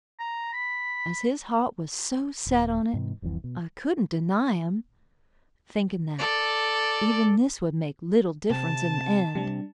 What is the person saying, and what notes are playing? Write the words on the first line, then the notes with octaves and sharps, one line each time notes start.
As his heart was so set on it, I couldn't deny him, thinking that even this would make little difference in the end.
A#5
B5
D#1
G#2 C3 E3
F1 C2 F2 E3
B2
A4 D5
C3 A5
C3 G3 D4